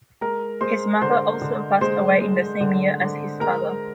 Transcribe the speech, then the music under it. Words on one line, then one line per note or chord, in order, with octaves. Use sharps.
His mother also passed away in the same year as his father.
G#3 A#4 A#5
G#3 C5 C6
D3 C5 C6
D3
G#3 C5 C6
G#3
D3
D3
G#3 A#4 A#5